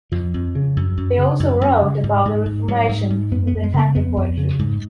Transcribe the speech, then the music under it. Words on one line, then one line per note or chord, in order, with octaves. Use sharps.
They also wrote about the reformation of tanka poetry.
F2 F3
F2
C#3
F#2
F#2
C#3
F#2
F#2
C#3
G#2
G#2
G#2
G#2 F#3
G#2
G#2
F#2 B3
B3
F#2
G#3
C#3
A#3
F2 B3
F2
C#3
G#2